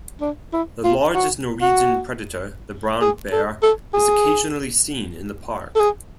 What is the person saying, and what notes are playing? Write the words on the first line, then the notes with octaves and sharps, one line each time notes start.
The largest Norwegian predator, the brown bear, is occasionally seen in the park.
D4
E4
F4
F#4
F#4
G#4
A4
A4
G#4
A4
G#4